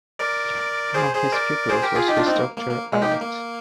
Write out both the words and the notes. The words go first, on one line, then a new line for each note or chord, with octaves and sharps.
Among his pupils was his daughter Arete.
A#4 D5
G#4 C5
G#4 C5
A#4 D5
G#4 C5
G4 A#4
F4 G#4
D#4 G4
D4 F4
C4 D#4
A#3
A#3
A#3
G#3
D#4 G4
A#3
A#3